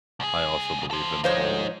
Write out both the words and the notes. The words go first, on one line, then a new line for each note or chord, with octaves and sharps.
I also believe in the whole
C2 G#4
A4 C5
F3 G#3 D#4 C5 C#5